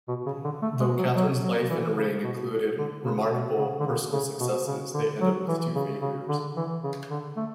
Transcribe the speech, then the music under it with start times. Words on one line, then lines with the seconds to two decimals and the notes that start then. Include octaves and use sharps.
Though Catherine's life and reign included remarkable personal successes, they ended with two failures.
0.08 B2
0.26 C#3
0.44 D3
0.62 A3
0.80 G#3
0.98 F#3
1.16 F#3
1.43 F#3
1.70 E3
1.97 C#3
2.24 B2
2.78 D3
3.05 C#3
3.32 B2
3.58 C#3
3.80 D3
3.86 C#3
4.13 C#3
4.40 B2
4.67 C#3
4.94 D3
5.21 F#3
5.48 E3
5.75 C#3
6.01 C#3
6.29 D3
6.57 E3
6.83 C#3
7.10 D3
7.37 A3